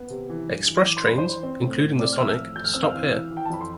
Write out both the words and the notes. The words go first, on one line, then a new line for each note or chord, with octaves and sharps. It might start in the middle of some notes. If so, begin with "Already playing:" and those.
Express trains, including the Sonic, stop here.
Already playing: B3
C3
E3
G2
E3
E3 D6
C6
G2 B5
C5 C6
E3
C4
A2
A2
C4 D5 D6
F6
F3 E5 E6
A2
F2 G6
F6
C4 E6
F5 F6
E3
E3
E3
G5
A5
F2 B5
C6